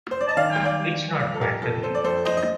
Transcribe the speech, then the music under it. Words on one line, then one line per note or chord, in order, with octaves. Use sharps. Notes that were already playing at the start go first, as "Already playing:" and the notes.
It's not quackery.
C5
D5
D#5
D#3 D5 F5
D5 F5
G3
F2 D5 F5
A4
G4 A#4
F2 F4 A4
A4 C5
D5
F2 A4 C5
C5 D#5
D#5